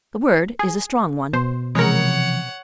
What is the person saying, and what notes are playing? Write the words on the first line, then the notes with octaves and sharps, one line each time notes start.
The word is a strong one.
G#4
B2 C5
C3 E3 F3 G#3 A#4 C#5 F#5